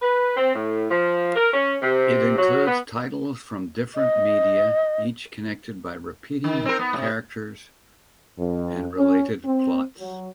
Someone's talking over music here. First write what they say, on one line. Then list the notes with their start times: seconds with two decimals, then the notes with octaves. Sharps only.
It includes titles from different media, each connected by repeating characters and related plots.
0.02 B4
0.37 C4
0.55 A2
0.91 F3
1.36 A#4
1.53 C#4
1.82 C3
2.38 F#3
2.67 B3
3.95 D#5
6.44 D#3
6.65 C4 A#4
6.79 B3
6.93 A2 C3
8.38 F2
8.96 C#4
9.44 C4
9.98 F#3